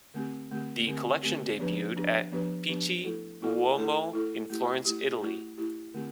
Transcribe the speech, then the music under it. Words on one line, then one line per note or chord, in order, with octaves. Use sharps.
The collection debuted at Pitti Uomo in Florence, Italy.
D3 A3 C4 G4
D3 A3 C4 G4
D3 A3 C4 G4
D3 A3 C4 G4
F3 B3 D4 G4 B4
F3 B3 D4 G4 B4
F3 B3 D4 G4 B4
F3 B3 D4 G4 B4
A3 E4 A4
A3 E4 A4
A3 E4 A4
A3 E4 A4
A3 E4 G4
A3 E4 G4
A3 E4 G4
A3 E4 G4
D3 A3 C4 G4